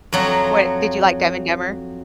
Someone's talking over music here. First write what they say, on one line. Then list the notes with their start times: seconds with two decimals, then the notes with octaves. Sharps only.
What did you like Dumb and Dumber?
0.13 F2 F#3 A#5